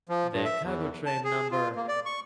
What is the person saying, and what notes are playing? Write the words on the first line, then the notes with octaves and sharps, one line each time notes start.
The cargo train no.
F3
G2
E5
E2
A5
G#4
F4
A#3
D5
C#6